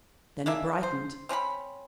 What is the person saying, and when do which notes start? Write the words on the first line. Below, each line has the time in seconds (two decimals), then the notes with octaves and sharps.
Then he brightened.
0.46 G#3 A#3 D4 E5
0.83 C5
1.29 C4 C#4 A#4 B5